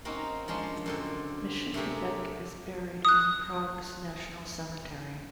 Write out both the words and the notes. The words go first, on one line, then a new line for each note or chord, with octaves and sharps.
Myslbek is buried in Prague's National Cemetery.
A#3 C4 C#4 D#4 F#4
F3 G#3 C#4 D4 C6
F#2 D3 C4
C3 A3 A#3 G4 G#4
D#6 F#6